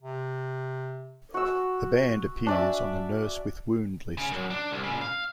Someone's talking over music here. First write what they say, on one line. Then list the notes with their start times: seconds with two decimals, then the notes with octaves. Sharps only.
The band appears on the Nurse with Wound list.
0.02 C3
1.34 F#4 E6
2.47 D4 D5 E5
4.18 C#3
4.31 F#2
4.50 D4
4.71 C2
4.84 A#2 C#3
5.02 F5